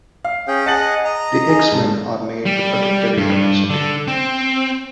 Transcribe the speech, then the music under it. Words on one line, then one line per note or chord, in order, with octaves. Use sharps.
The X-Men are made the protectorate of the city.
F5
C#4 G#4 G5
G#4 D#5 F#5 A5 A6 F#7
D#5 A#5
D#4 G#4
G#2 A5
G3
G2
D3
C4